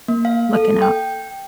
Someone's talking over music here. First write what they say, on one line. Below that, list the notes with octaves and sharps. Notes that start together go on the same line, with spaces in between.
looking out.
A#3
F5
A4
G5